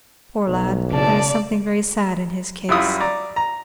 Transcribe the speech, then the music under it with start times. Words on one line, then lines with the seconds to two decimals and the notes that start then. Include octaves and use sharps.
Poor lad, there is something very sad in his case.
0.48 B1
0.92 F#1 C#3 D5 A5
2.69 F#2 G3 E4 F4 D#6
3.00 D5 A#5
3.36 A#5